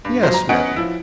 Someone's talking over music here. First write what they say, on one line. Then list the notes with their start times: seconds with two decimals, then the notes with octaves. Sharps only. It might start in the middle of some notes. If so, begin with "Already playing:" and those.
"Yes, madam."
0.05 G2
0.23 F3 F#3 C5
0.34 A#5
0.49 B3 C#4 D#5 F#5 D7
0.76 F3 E4